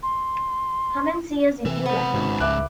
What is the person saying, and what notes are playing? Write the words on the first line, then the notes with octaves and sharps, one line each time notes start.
Come and see us if you like.
C6
C3 E3
B3 C5 F#5
G#1 G#2 C#3
C#2 E5 D6 F#6